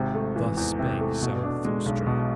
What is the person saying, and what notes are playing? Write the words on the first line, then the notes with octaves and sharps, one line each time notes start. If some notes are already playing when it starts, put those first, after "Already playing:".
Thus spake Zarathustra.
Already playing: G#1 C3
A3
E3
E2
C3
A3
B2
D4
G#3
B1
B2